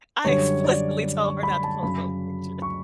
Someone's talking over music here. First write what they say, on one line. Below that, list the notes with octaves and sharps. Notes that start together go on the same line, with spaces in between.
I explicitly told her not to post those pictures.
F#2 D3 G3 C#5
D5
C#6
B5
A5
F#2 C#3 F#3 B5
C#6